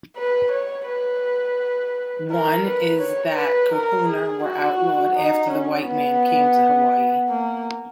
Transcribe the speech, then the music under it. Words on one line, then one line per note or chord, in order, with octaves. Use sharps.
One is that kahuna were outlawed after the white man came to Hawaii.
B4
C#5
B4
A#4
B4
C#5
B4
A#4
G#4
F#4
D#4
C#4
B3
A#3